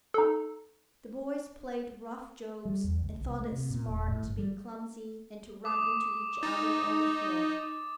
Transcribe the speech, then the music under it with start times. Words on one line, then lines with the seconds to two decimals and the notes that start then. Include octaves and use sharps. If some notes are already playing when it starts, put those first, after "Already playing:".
The boys played rough jokes and thought it smart to be clumsy and to run into each other on the floor.
0.14 D#4 A4
2.65 G3
2.84 E2
3.03 C#2
3.21 C2
3.40 A3
3.52 C3
3.70 A#2
3.86 E1
4.08 A2
4.22 G1
4.38 G3
5.65 D6 D#6
6.43 D#4 A6